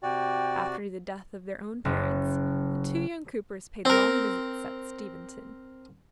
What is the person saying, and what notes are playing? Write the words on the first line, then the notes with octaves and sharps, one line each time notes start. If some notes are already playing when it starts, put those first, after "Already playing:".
After the death of their own parents, the two young Coopers paid long visits at Steventon.
C3 F#4 D5 G5
F#1
C4 A#4